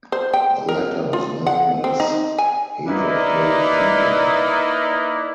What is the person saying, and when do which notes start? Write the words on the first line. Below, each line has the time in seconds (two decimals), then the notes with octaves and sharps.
The latter is known as Haverhill fever.
0.12 C5
0.33 G5
0.69 A#4
1.13 F4
1.47 F#5
1.84 C4
2.00 D#4
2.38 G#5
2.88 A#3 D#4 E4 B4 D5